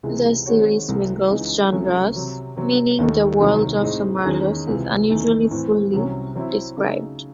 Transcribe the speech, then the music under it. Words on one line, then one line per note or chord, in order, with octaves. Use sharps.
The series mingles genres, meaning the world of the Marlows is unusually fully described.
C#2 C3 E3 G#3
D#3 G#3 C4 F#4 C#5
C2 C3 E3 A3
C#2 C#3 E3 G#3 D#4
C2 C3 F#3 A3 C#4
C3 F#3 C4
C3 F#3 C4
D#2 D#3 A3 D#4 A4
C2 C3 D#3 F#3
A2 G#3 C4 D#4
E2 D#3 G#3 C#4
C#2 C3 E3
E2 D#3 A3
A2 E3 C4
C2 C3 F#3 C#4
F#3 C4 E4
C#3 F#3 A3 D#4 A4